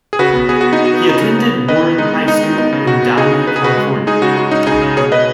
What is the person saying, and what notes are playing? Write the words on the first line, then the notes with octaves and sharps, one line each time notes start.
He attended Warren High School in Downey, California.
G#4
C#3 F#4 B4
B3
B3 G#4
B3 F#4
D#4
B3
F#4
B3
C#3 D#4
C#3
B3
B3
D#3 B4 D#5
D#3
G#3 D#4
B3
G#3 D#4
D#3
B3 D#4
C#3
C#3 F#4
B3
C#3 D#4 G#4
C#3
C#3 B4
G#4
C#3 F#4 B4
G#3
G#3
G#3 D#4 G#4
C#3 F#4
G#3 F#4
C#4 D#4
C#3 D#4 G#4
C#3
B2 G#4 C#5
B2 B4 D#5